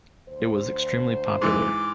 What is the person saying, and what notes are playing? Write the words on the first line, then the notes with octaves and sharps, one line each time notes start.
It was extremely popular.
D2 C5
G#2 E3 D6